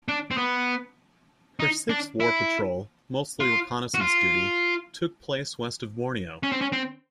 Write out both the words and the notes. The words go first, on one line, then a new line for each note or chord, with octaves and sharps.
Her sixth war patrol, mostly reconnaissance duty, took place west of Borneo.
D4
C4
B3
D#4
D4
E4
F4
F#4
F4
C#4
C4
C#4
C4